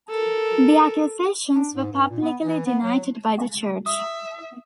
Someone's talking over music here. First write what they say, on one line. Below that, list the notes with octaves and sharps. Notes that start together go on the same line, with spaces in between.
The accusations were publicly denied by the Church.
A4 A#4
D4
G#2
G2
A#2
B3
E3
B3
F#3
E5 D#6